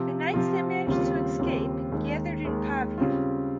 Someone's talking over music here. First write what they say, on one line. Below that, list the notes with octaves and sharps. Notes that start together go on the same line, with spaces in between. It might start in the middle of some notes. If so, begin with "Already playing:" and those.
The knights that managed to escape gathered in Pavia.
Already playing: C3 F3 C4 F4
C3 F3 C4 F4
D#2 C#3 G3 C4 F4
D#2 C#3 G3 C4 F4
D#2 D#3 G#3
D#2 D#3 G#3
C#3 G3 C4 F4